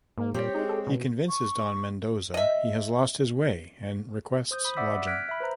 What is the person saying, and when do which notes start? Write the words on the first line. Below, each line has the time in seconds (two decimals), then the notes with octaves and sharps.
He convinces Don Mendoza he has lost his way and requests lodging.
0.18 G#2 A#3
0.34 A#2 G3 C4 G4 C#5
0.54 G#3 D#4
0.69 A4
0.87 B2
1.29 C#6
2.34 D#5 E5
4.51 C5 D#6 G6
4.65 B5 D#6
4.77 D5 E5 F#5 D6 E6 B6
5.07 F6 F#6 G#6 B6 D7
5.29 E5 B5
5.40 B4 C5 A#5